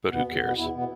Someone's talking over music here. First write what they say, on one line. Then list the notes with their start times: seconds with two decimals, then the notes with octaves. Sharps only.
But who cares?
0.09 B2 B3
0.26 E2
0.41 B2 B3
0.56 E2 E4
0.72 B2 B3